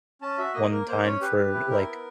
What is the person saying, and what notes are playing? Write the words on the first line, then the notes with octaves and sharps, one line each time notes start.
one time for, like,
C#4 A5
F#4 E5
A#3 D#5
A#3 A#4
A#3 C5
C#4 C#5
G4 B4
G4
E4
E4 A#4
B3